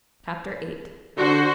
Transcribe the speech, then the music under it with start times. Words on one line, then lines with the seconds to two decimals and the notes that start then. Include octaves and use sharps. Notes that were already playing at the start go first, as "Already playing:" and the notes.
Chapter VIII.
1.17 D3 F#4 C5